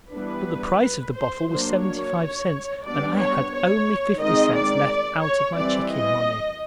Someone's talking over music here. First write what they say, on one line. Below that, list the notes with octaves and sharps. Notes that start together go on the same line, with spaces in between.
But the price of the bottle was seventy-five cents and I had only fifty cents left out of my chicken money.
E3 G3 B3 D4 B4
C5
F#3 A#3 D4 C5
C#5
G3 B3 D4 D5
C#5
C#5
D#3 G#3 C4 D#5
D5
C#5
E3 G3 C4 D5
D#5